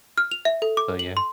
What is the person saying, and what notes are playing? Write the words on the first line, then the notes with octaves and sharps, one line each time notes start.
So, yeah.
F6
F7
E5
A4
D6
F#7
C6